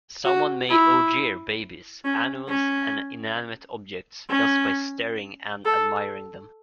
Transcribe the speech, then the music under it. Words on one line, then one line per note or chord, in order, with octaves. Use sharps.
Someone may "ojear" babies, animals and inanimate objects just by staring and admiring them.
F#4
E4
C#4
C#4
C#4
A4